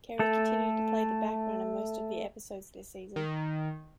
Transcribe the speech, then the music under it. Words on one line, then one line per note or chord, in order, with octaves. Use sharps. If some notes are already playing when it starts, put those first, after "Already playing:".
Kerry continued to play the background in most of the episodes this season.
A3 A4
D#3